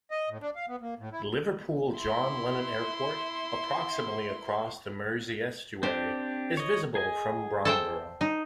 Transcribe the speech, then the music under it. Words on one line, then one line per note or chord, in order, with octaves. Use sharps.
Liverpool John Lennon Airport, approximately across the Mersey Estuary, is visible from Bromborough.
D#5
A2
D4
F5
B3
A#3
A2
E4
E4 C6
C4 D4 G4 C5
C#5 D#5
G#4 D#5 G#5
A4 C5 G5
D#4